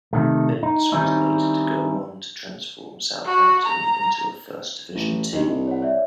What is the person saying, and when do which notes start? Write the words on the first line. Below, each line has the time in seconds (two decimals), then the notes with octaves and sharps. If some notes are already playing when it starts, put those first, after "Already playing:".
Bates was later to go on to transform Southampton into a First Division team.
0.13 C3 D#3 A3
0.63 D#4
0.92 D#3 G3 C4 C#4 D#4 E4
3.25 F#4
3.65 A#5
4.95 A1
5.32 D#2 D4 D#5
5.46 C2
5.67 C#5 F#5
5.82 C#5 D5 E5